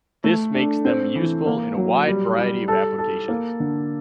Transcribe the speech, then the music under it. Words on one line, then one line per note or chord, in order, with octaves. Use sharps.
This makes them useful in a wide variety of applications.
A3
D4
C4
E3
A#3
F#3
G3
G3
A4
A4
A#3
D3